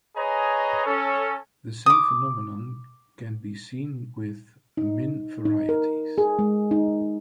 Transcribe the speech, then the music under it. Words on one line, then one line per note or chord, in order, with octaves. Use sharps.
The same phenomenon can be seen with Min varieties.
G#4 B4 C#5 D#5 G#5 A#5
C#4 A4
D6 D#6
D#4
D#4
A#4
G#4
G#3
D#4